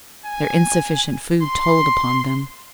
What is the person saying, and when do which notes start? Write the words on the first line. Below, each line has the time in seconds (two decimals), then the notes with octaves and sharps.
Their insufficient food told upon them.
0.25 G#5
1.42 C6